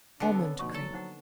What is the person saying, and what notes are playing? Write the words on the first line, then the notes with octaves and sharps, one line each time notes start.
Almond Cream.
D3 B3 D4 A5
C4 A4 C#5
B2 F3 A#3 D#4 C#6
F#3 A4 D5
D#4 C5 F#5